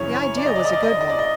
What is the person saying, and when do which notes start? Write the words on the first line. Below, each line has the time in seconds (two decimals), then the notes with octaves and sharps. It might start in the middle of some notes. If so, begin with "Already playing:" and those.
The idea was a good one.
Already playing: F#2 C#3 E3 C#5
0.15 C#5
0.37 D5
0.46 D#5
0.56 D5
0.65 D#5
0.73 D5
0.83 D#5
0.92 D5
1.01 D#5
1.10 D5
1.19 D#5